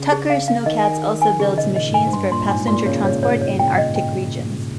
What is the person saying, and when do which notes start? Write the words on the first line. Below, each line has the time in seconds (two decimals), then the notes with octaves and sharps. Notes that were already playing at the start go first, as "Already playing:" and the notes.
Tucker Sno-Cats also builds machines for passenger transport in Arctic regions.
Already playing: C#3
0.12 G#4
0.30 F5
0.48 F5
0.66 D#3 D#5
0.85 G#5
1.03 G#4
1.22 G#5
1.39 C#3 G#4
1.58 D#5
1.64 A#2
1.76 D#5
1.89 G#2
1.94 G#5
2.06 G#2
2.13 G2 C6
2.31 A#2 C6
2.49 G#2 G#5
2.68 A#2 C6
2.86 C#3 C#5
3.05 C#5
3.23 C#5
3.41 C#5
3.59 G5
3.78 D#5
3.96 G5